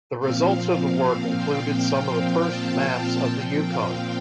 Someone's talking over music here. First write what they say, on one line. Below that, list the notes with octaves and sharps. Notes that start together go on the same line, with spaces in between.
The results of the work included some of the first maps of the Yukon.
A#2 F3 C4 F5
F5
G5
G5
A5
A#2 F3 C4 G5
F5